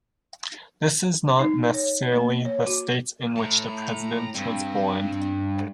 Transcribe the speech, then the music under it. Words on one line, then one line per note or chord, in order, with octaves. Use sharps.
This is not necessarily the state in which the president was born.
D#4
C#5
A#3
C#5
F#4
A2 A5 A#5
G2 C4